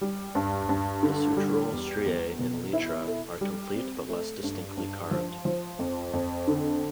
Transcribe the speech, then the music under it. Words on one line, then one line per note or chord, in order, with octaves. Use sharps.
The sutural striae in elytra are complete but less distinctly carved.
G3
G2
G2
D3
G3
E2
E2
B2
E4
A4
G3
C4
A3
G2
G2
F3
F3
F2
F2
D3